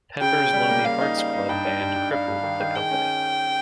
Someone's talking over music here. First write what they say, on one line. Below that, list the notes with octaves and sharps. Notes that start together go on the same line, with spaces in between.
Pepper's Lonely Hearts Club Band crippled the company.
C#3 G5
C#3
G3
A#3
G3 F5
D#4
G3
D#4
G2 G5
G3
G2
G2
G3 F5
G2
D#3
D#3
G#4 G5
C#4